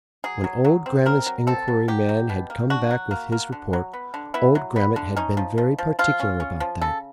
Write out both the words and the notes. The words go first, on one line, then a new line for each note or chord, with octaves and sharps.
When old Grammont's enquiry man had come back with his report, old Grammont had been very particular about that.
F#3 G#4
F#3
F#3
C4
C4 A#4
F#3
C4 A4
F#3
F#3 G4
F#3
B2
A#3
D4 F#4
F#3
A#3
A#3
D3
F#3
B3
D3
B3 E4
F#3
B3
D3
C#4 D#4
F3
F3
F3
F3 F4
C#4
C#4
F3
C#3 A4